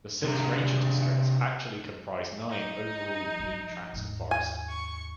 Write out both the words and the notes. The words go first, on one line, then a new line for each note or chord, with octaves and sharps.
The six ranger districts actually comprise nine overall unique tracts of forests.
C3 B3 D4 G4 G#4 A#5
D#4
G2 F3
D#2 G#2
G#5
C#6